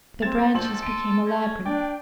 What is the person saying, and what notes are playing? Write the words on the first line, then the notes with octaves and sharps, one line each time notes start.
The branches became a labyrinth.
C4 G#6 A6 E7
A#1 A4 C5 C6 F#7
C6 D7 D#7
C#4
D4 D5 G5